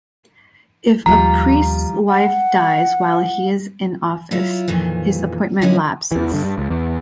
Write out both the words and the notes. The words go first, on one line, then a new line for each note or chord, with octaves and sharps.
If a priests wife dies while he is in office, his appointment lapses.
D#2 F3 G3 F4 A#5
F#5
F#3 E4 F4
F2 A#2 D#3 E3
D3 F#3 A#3 C#4 D#4 E4
E2 E3
G2 D3
G2
C#2
E2